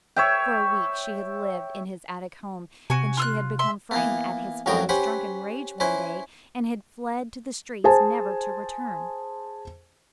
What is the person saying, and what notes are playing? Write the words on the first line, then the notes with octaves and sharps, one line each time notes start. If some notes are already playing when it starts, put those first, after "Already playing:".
For a week she had lived in his attic home, then she had become frightened at his father's drunken rage, one day, and had fled to the streets, never to return.
C#5 E5 G5
C3 F#4 G#5
F4 E6 F#6
E5 C6
E3 A#3 B3
A1 F2 F#3 F#4 A#4 G5
C#4 G4 B4 C5 F#5 B5
C#4 E4 B4 C5
G#4 C5 G#5 A5